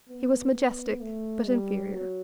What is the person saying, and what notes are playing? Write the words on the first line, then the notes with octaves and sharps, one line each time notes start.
He was majestic, but inferior.
B3
B3
A3
G3
F#3